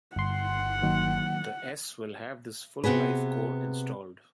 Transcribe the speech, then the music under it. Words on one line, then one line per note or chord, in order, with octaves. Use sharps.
The s will have this full-life core installed.
G1 F#5 C6
D#3 F#3 A#3
C3 B3 F#4 G#4 B4